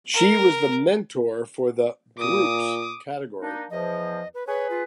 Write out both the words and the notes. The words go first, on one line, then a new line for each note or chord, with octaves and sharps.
She was the mentor for the "Groups" category.
A#4
A#2 D6 D#6
A#3 D4 D#4
E2 F3 D#5
B4
G#4 B4 C#5
F4